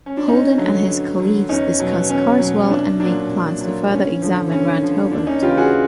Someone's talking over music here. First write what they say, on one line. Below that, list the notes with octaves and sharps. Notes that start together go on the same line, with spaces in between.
Holden and his colleagues discuss Karswell and make plans to further examine Rand Hobart.
C#4
D4
G2 C#4 D#4
D3 F#3
G2
D3 F#3
E2 C#4 D#4
B2 F#3
E2 C#4
B2 F#3
C#4
C2 D4
A#2 F#3 D4
C2
A#2 F#3
G2 C#4
D3 F3
G2 C#4
D3 F3
D#2 D4
C#4 D#4
C#3 E3 F4 G4
F#4 G#4